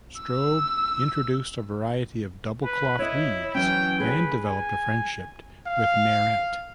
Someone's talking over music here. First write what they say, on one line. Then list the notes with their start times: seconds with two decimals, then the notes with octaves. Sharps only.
Straub introduced a variety of double cloth weaves and developed a friendship with Mairet.
0.21 E6
2.63 B4
2.99 E4 C#5 D#5
3.55 E3 F#3 C#4 G5
4.00 G#4 B4
4.45 G#5
5.67 F5